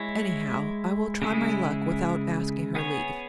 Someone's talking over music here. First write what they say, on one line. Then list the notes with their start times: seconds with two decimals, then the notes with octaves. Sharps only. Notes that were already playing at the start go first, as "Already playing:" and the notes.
Anyhow I will try my luck without asking her leave.
Already playing: G#3 E4 C#5
1.22 C#3 G#3 E4 G#4
2.75 B3 G#4 C#5